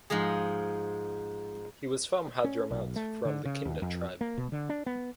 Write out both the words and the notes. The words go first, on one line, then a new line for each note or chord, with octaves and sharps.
He was from Hadhramaut from the Kinda tribe.
G#2 F3 G#3 G#4
C#4
B1
A3
D3
C#3
D#2
F2
A#3
B2
D3
D4
B3